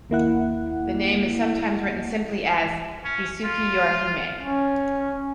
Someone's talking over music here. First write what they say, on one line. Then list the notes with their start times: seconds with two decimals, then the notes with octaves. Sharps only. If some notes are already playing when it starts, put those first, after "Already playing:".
The name is sometimes written simply as "Isukiyorihime".
0.10 D#2 A#3 E4 F#5
3.04 C#4
3.45 F4
4.42 C#4